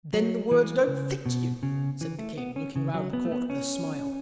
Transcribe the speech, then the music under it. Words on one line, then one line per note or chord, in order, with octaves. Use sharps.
'Then the words don't FIT you,' said the King, looking round the court with a smile.
F#3
E3
C#3
B2
C#3
E3
A3
B3
C#4
C#3
F#3
B3
A3
B3
C#4